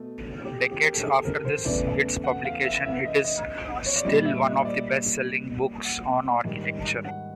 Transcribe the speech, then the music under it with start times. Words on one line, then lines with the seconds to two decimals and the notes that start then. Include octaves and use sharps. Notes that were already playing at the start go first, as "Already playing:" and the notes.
Decades after its publication, it is still one of the best-selling books on architecture.
Already playing: B2 A3
0.45 G4
0.58 G#4
0.71 G4
0.84 A#4
0.94 A4
1.04 G#4
1.25 A#4
1.45 C5
1.64 E2 C#3 E3 A3 D5
2.24 F#5
2.45 F5
2.64 E5
2.85 E5
3.05 D#5
3.24 D#5
3.86 C#5
3.96 D5
4.05 G3 D#5
4.08 A#2
4.25 E5
4.44 D#5
4.65 D5
5.85 F#5
6.45 G#2 D#3 G3
7.05 F#5